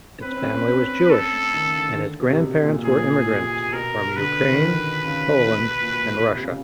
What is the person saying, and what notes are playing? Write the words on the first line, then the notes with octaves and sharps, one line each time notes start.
His family was Jewish, and his grandparents were immigrants from Ukraine, Poland, and Russia.
C4 B4
C#4
C4
C#4
C4
C4
C#4
C4
A4
A3
D#3
C#3
D3
D#3
D3
B2
C3
B2
A#2
A#2 G#4
B2 A#4
D3 B4
D#3
D3
C#3
A#2
B2
A#2
B2
C3
C#3